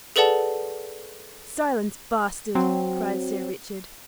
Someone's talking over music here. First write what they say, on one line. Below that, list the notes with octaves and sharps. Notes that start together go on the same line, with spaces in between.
"Silence, bastard!" cried Sir Richard.
G#4 A4 B4 D5 F#5 A5
F#3 C4